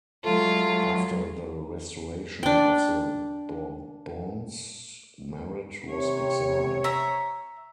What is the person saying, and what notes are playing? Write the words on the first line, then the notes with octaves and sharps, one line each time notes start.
After the restoration of the Bourbons, Maret was exiled.
F#3 G#3 A3 F4
D4 G5
C3 C#5
E5 A#5